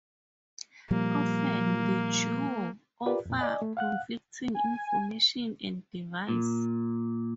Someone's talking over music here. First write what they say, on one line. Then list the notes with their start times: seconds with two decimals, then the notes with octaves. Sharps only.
Often, the duo offer conflicting information and advice.
0.91 A#2 F3 G3 A#3
3.06 F4 G4 A#4 B4 D5
3.26 F2 A#2
3.39 D5 D#5 G#5
3.62 A3
3.77 F5 F#5 F#6
4.55 G#5
6.29 A#2